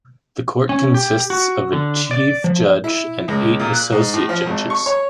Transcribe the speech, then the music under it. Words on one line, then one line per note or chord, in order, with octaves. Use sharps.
The court consists of a chief judge and eight associate judges.
C#4
G4
F#4
D3
D5
F3
E4
C#2
A#2
F#6
G#2
A2
F3
G#1
C#6
C#5